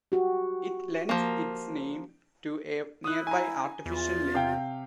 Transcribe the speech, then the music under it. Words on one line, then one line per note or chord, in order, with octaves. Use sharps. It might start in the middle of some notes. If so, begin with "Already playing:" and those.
It lends its name to a nearby artificial lake.
F#4 G4
F3 A#3
E4 D#6 F#6
G#5 A#5
E2 F4
C3 F5 G5